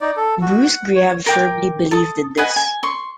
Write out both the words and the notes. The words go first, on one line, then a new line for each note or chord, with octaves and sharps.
Bruce Graham firmly believed in this.
D#4 D5
A4
F#4
F#5
C#5
A#4 G5 D6
A4 D#6
B4 D#5 F#5 G#5
G#5
C6 C#6